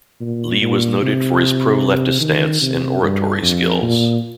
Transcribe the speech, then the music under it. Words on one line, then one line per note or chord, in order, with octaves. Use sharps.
Lee was noted for his pro-leftist stance and oratory skills.
A#2
A#2
C3
D#3
C3
G2
F2
A#2